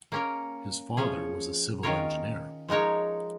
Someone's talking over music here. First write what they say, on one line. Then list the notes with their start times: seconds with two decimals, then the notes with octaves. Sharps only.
His father was a civil engineer.
0.12 A#3 C#4 A#4
0.97 F3 C#4 G#4
1.83 D#3 C#4 F4 A#4 C#5
2.69 F3 G#3 D#4 A#4 C#5